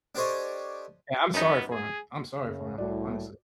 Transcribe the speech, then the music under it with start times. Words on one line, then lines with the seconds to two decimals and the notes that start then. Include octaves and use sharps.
Yeah, I'm sorry for him, I'm sorry for him, honestly,
0.15 D4 G4 A4 C5 C#5 D#5
1.34 F#2 B3 D#4
1.71 G#4
2.41 F#2 C#3
2.78 C2 A2 F#4 D5